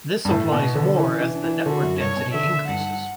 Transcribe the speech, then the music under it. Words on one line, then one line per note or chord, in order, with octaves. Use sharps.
This applies more as the network density increases.
G2
A2 A3
B2
B3
D3
E3 C#4
E3
D4
E3
D3 F#4
F#2
G2 C#5
B2
D3 E5
G2 F#5